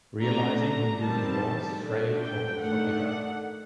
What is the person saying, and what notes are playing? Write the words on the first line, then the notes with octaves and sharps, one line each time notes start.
Realizing who Newton was, Frey called for backup.
D3 A3 D4 A#5
A#5
D#3 G3 C4 A5
D3 A3 D4
G5
D#3 A3 D4 F#5